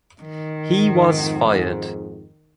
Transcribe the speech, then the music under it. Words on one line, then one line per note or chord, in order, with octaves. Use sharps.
He was fired.
D#3
F2 G#2